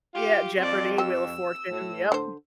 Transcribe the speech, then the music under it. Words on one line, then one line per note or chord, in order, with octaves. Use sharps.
Yeah, Jeopardy, Wheel of Fortune, yup.
F4 G4
F2 C4 D5
C4 G4 E6
A2
D3 C5